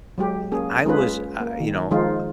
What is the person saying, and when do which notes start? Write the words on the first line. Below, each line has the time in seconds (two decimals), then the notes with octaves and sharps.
e I was, uh, you know,
0.18 F#3 G#3 G4
0.52 A#3 C#4 G#4
0.86 G#3 C#4 F4 G#4 B4
1.40 A#3
1.60 D#3
1.91 D#3 F3 G#3 D#4 F4